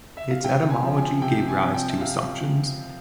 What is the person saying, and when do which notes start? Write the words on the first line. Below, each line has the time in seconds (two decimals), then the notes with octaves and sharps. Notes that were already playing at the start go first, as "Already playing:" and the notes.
Its etymology gave rise to assumptions.
0.17 E5
0.30 F5
0.44 C3 G5
0.70 G#5
0.83 F3 C4
0.96 G#5
1.22 C3 G5
1.48 G#5
1.61 F3 C4
1.74 G5
1.89 E5
2.00 C3 F5